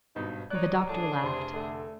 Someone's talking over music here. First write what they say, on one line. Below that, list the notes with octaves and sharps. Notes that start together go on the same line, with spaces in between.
The doctor laughed.
G#1 G2 B2 D#4
D#4 C#5 D5 F#6
A2 D4 G#4 A5
F1 C3 C6
D3 A3